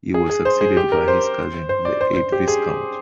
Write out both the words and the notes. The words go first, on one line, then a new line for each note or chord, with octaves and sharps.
He was succeeded by his cousin, the eighth Viscount.
G#4
G#4
C5
G#4
G4
A#4
C5
C5
D5
C5
C5
G4
G#4